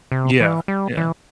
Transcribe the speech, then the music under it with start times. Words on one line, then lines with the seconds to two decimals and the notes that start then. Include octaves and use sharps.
Yeah, yeah.
0.12 C3
0.41 E3
0.68 G3
0.97 E3